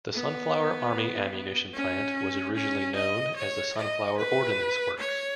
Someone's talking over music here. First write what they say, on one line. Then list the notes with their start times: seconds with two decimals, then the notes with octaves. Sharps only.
The Sunflower Army Ammunition Plant was originally known as the Sunflower Ordnance Works.
0.12 B3
1.74 C#4
2.55 C#4
2.96 D#5
3.36 C#5
3.77 D#5
4.17 B4
4.98 C#5